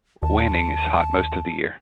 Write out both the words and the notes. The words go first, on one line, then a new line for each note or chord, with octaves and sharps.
Wanning is hot most of the year.
D#2 A5